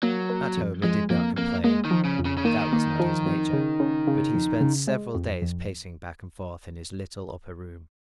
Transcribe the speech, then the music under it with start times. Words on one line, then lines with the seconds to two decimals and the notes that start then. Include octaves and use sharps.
At home he did not complain--that was not his nature--but he spent several days pacing back and forth in his little upper room.
0.03 F#3 A#3
0.30 A#3
0.57 F2
0.83 F2 G#3
1.10 F2 A#3
1.38 F2 A#3
1.64 G#3 A#3
1.85 D#3
1.91 F3
2.05 C#3
2.19 F2
2.25 C#3
2.37 C#3
2.45 D#3 A#3
2.73 A#3
3.00 F3
3.26 F2
3.53 C#3
3.80 C#3
4.07 C#3
4.34 F2
4.61 C#3
4.87 G#3
5.15 F2
5.42 F2